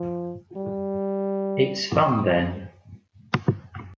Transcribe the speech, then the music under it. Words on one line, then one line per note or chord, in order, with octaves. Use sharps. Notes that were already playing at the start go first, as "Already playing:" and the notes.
It’s fun then.
Already playing: F3
G3